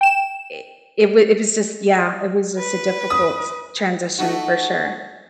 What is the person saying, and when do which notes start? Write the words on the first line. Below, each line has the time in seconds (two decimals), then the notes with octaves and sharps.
I i it was it was just yeah. It was just a difficult transition, for sure.
0.01 G5 E7
2.59 B4
3.10 D#6
4.18 A3 D#4 F#4